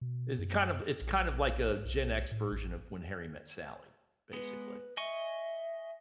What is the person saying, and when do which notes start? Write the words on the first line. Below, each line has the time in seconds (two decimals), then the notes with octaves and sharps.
is it kind of it's kind of like a Gen X version of When Harry Met Sally, basically.
0.01 B2
0.39 F#2
1.02 A#1
1.85 B1
2.32 A2
2.52 A1
4.33 G#3 B3 B4
4.97 D#5 E5 G#5 C#6